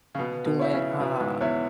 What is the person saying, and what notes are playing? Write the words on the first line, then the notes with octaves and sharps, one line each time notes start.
doing, uh
C#3
B2 B3
B2
E4 C#5
C#3
B2 B3
G#2
E2 E4 C#5